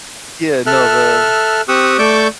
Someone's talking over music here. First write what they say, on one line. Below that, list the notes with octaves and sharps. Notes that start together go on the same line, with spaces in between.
Yeah, no the
A4 E5 F6 F#6
C4 G4 C#6 D#6 E6 F#6
A3 D5 C#6 D6 E6 G6